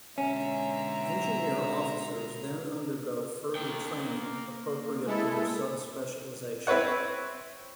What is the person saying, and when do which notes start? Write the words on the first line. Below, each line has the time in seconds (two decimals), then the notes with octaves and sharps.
Engineer Officers then undergo further training appropriate to their sub-specialisation.
0.18 B2 D3 G#3 C#4 E5 A#5
3.55 A#3 G5
5.06 G#3 E4 A4
6.67 C4 E4 B4 C#5 F#5